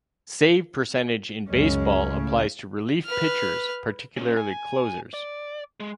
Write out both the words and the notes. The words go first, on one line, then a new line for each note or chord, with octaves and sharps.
Save percentage in baseball applies to relief pitchers, particularly closers.
C#2 F#2 C#3 G#3 C#4
A2 C#3
B4 F6
A#3 C#4
G#5
D5
G#3